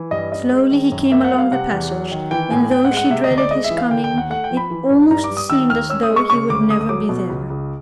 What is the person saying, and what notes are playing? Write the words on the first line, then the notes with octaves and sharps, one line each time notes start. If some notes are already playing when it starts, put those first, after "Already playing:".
Slowly he came along the passage, and though she dreaded his coming, it almost seemed as though he would never be there.
Already playing: E3
G2 D#5
C#4 D#5
G#3
D#3
F#2
A#3 E5
F#5
G3
F5
C3 F#5
E2
F#3
D#3
E3 G5
A2 G#5
A2 G5
F#5
G#3
F#5
C3 E5
D#5
D2
D5
G#3 D#5
E5
E3
F5
D3 G5
G5
D#2
F#5
A3 F#5
G5
F3
B5
E3
G2
G2 A#5
D6
G3
D#6
D#3 E6
D#2 F6
C#4 E6
D#6
G#3
C#6
C#3 C#6
D2 D6
A3 D#6
D#6
F#3 D6
B2
C#2
C#2